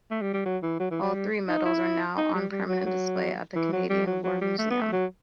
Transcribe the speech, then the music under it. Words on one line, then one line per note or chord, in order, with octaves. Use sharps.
All three medals are now on permanent display at the Canadian War Museum.
A3
G3
G3
F#3
E3
F#3
E3
F#3
G3
D#4
E4
D#4
G3
G3
F#3
F#3
E3
F#3
G3
F#3
F#3
G3
A3
B3
A3
F#3